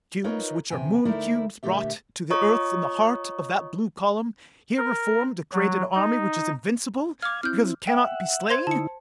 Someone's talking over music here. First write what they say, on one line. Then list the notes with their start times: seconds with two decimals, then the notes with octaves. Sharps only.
Cubes which are Moon-cubes, brought to the Earth in the heart of that blue column, here reformed to create an army which is invincible, because it cannot be slain!
0.24 D#4 F4 A#4 B4 C#5 D#5
0.70 E2 C3 G5 G#5
1.05 D2 A3 D#4 E4 A#4 D5
1.63 A#2 D3 A3 G4 E5
2.30 F4 C#5 D#5 A#5 C#6 D#6
4.78 A#4
5.53 F#3
5.95 D#4
7.22 F5 D6 F6 G#6
7.43 C4 E4 F6 G6
7.87 E5 F#5 G5
8.50 C5 C6 G#6
8.67 D3 D#4 E4 A5 C#7